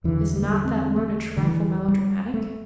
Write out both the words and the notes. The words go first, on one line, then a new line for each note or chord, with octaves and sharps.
"Is not that word a trifle melodramatic?"
E2 D3 E3
G3
A3
G3
C4
A3
D3
E3
G3
A3